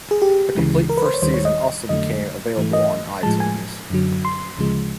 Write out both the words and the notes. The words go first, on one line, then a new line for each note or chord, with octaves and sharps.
The complete first season also became available on iTunes.
G#4
G4
D2 C#3 E3 G#3
A#4
B4
C5
C#5
D#2 D#3 G3 C5
C#5
D#5
F2 D3 F#3 A3 D#5
G#2 E3 A3
D#5
A2 F3 G#3 A5
G#5
F#2 D3 F#3
C6
D2 C#3 F3 G#3